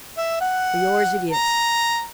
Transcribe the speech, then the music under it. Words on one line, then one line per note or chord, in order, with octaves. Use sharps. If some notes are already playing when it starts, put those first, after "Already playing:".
For yours it is.
E5
F#5
A#5